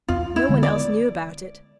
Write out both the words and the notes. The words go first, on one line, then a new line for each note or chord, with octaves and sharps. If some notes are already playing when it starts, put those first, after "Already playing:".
No one else knew about it.
E2 F4
E4
D3 G#3 B3
D5